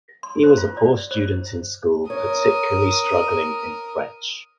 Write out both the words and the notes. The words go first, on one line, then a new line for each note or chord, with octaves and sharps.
He was a poor student in school, particularly struggling in French.
C6
C5
F4
D5
C5
A#4 C#5 D#6